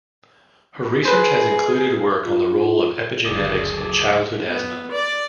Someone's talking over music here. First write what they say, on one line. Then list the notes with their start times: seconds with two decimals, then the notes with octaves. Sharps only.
Her research has included work on the role of epigenetics in childhood asthma.
1.05 G#4 B4 C5
2.24 F4
3.26 F#1 D2 G#4 A4 D5
4.48 B3
4.92 D5